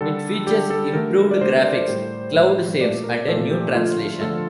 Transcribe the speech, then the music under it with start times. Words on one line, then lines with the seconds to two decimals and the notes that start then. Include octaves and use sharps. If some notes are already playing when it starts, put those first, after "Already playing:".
It features improved graphics, cloud saves and a new translation.
0.01 D3 G3 A4
0.47 D3 G3 G4
0.70 A4
0.94 D3 A3 A#4
1.31 D5
1.41 D3 A3 C5
1.88 A2 G3
2.35 A2 G3
2.81 A#2 A3 D5
3.04 A#4
3.28 A#2 A3 A4
3.51 G4
3.74 D3 F3 A3 F4
4.20 D3 F3 A3 A4